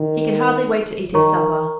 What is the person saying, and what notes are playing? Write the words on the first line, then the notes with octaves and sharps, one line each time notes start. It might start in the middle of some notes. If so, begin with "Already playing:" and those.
He could hardly wait to eat his supper.
Already playing: D#3
D#3 A#4 C#5 A#5 C#6